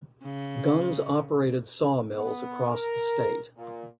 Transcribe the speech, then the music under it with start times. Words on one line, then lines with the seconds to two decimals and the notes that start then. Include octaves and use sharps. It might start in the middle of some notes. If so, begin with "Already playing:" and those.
Gunns operated sawmills across the state.
0.24 C#3
2.15 B3
2.70 A#4
3.57 A#2